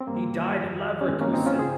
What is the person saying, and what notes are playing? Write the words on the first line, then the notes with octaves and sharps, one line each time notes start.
He died in Leverkusen.
C4
G2 D#3 G3 A#3
F2 D#3
C#4
G2 D#3 G#3 C4
A#3 C#4
C4 D#4
C#4 F4
C#3 G#4 C5